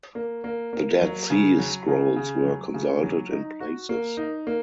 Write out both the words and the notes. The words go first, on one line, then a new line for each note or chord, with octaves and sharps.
The Dead Sea Scrolls were consulted in places.
A#3
A#3
A#3
F#3
C#3
F#3
C#3
C#3
F#3
C#3
F#3
D#4
F#4
A#3
D#4
A#3